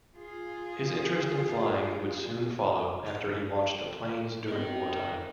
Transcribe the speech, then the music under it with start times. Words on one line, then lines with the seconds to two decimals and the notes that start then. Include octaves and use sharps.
His interest in flying would soon follow after he watched the planes during wartime.
0.17 F4 G#4
3.06 D#5 F5 A#5
4.48 B3 C4 A#4 D#5